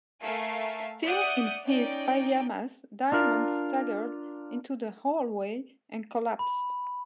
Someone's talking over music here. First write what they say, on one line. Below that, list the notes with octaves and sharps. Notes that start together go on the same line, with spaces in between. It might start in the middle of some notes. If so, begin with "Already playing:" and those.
Still in his pajamas, Diamond staggered into the hallway and collapsed.
A3 A#4 E5 F5 G#5 C7
D5 E5 F#5 D#6 G6
C#4 D#4 D5 G5
D4 F4 A#4
B5